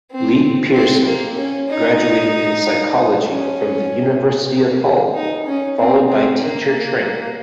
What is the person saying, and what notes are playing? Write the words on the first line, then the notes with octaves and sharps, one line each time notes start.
Lea Pearson graduated in Psychology from the University of Hull followed by teacher training.
C4
C4
A#3
C#4
D#4
C#4
A#3
D#4
C#4
C4
C4
A#3